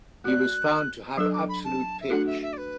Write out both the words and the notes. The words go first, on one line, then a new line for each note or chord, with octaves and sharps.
He was found to have absolute pitch.
A3 F#4 D5 F#6
F#3 D4 A4 E6
D6
B5
A5
E5
A3 D4 F#4 A4 F#5
E5
E5
D5
B4